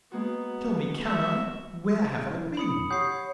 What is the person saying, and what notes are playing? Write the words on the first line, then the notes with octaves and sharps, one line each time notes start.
Tell me! can I?--Where have I been?
G#3 A#3 B3 F#4
F#4 E5
E4
B5 D#6 C#7
G4 C#5 F#5 D#6 G6 C7